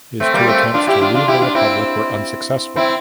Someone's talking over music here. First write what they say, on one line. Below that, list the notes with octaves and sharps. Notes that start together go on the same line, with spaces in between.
His two attempts to leave the republic were unsuccessful.
A3 C4
G3 A#3
A3 C4
D4 F4
E4 G4
D4 F4
D4 F4
E4 G4
D4 F4
C4 E4
C4 E4